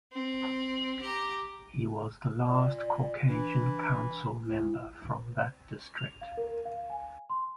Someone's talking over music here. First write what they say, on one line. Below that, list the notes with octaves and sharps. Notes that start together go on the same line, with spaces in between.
He was the last Caucasian council member from that district.
C4
G4 A#5
A#2 D5
E3 D4
D2 E4
F7
F5
A#4
F5
G#5
C6